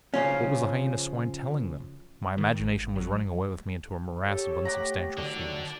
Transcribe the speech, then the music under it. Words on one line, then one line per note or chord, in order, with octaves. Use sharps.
What was the Hyena-swine telling them? My imagination was running away with me into a morass of unsubstantial fears.
C#3 F3 C#4
D#3
G#1
F#3
G4 A4 C#5
A3 G4 F#5 A#5
A2 D3 D#3 F#3 D4 D5